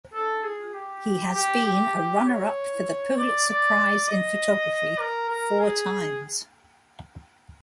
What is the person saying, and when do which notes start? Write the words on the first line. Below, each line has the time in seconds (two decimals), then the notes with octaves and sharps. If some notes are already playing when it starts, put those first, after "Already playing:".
He has been a runner-up for the Pulitzer Prize in photography four times.
0.13 A4
0.43 G#4
0.73 G4
1.34 G4
1.64 G4
1.95 G4
2.26 C#5
3.17 D5
3.47 D5
4.08 D#5
4.99 A#4
5.29 A#4
5.60 G#4